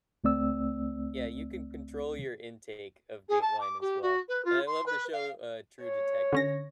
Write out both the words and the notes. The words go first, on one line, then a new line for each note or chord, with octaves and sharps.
Yeah, you can control your intake of Dateline as well, and I love the show, uh, True Detective.
C#2 A3 C4 D5 E6
G#4
A5
D6
G4
F#4
B4
F4
C6
B4
F5
C#5
D3 C#4 A#6